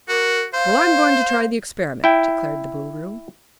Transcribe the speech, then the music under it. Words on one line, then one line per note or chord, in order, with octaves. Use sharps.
"Well, I'm going to try the experiment," declared the Boolooroo.
F#4 A#4
C5 F5
E4 G5